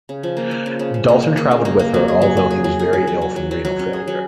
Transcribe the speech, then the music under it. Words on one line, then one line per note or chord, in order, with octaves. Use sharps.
Dalton traveled with her, although he was very ill from renal failure.
C#3
F3
A#3
F3
C#3
C#3
C#3
A#3
A#3
A#3
C#3
A#3
A#3
F#3
G#4
F#3
F#3
G#4
F#3
G#4
F#3
F#3
F#3
F#3
F#3
F#3
C#4
G#4
F#3